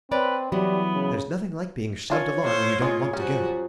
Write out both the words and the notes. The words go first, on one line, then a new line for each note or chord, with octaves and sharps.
There's nothing like being shoved along when you don't want to go.
C4 B4 C#5 D5
E3 F#3 G3 B3 F#4
C#3
C#4 F4 C#5 A5
A2 A4 C5 F5
G#3 F4 G#4 C6
F#2 F3 G3 C#4 F#4